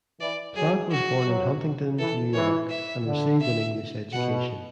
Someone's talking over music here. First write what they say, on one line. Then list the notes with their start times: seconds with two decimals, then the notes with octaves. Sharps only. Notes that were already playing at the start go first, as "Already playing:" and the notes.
Platt was born in Huntington, New York, and received an English education.
0.20 E3 D5
0.56 F#3 G#4
0.92 F#4
1.27 F#3
1.98 E3 A4
2.34 E3 C#5
2.70 E5
3.05 D3
3.41 E5
4.13 B2 F#5